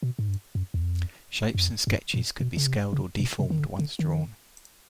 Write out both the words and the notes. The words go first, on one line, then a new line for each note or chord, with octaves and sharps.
"Shapes" and "Sketches" could be scaled or deformed once drawn.
B2
G#2
G2
F#2
E2
F2
F#2
F2
G2
A#2
B2
C#3
C3
C#3
B2
C3
D#3
D3
D3
D#3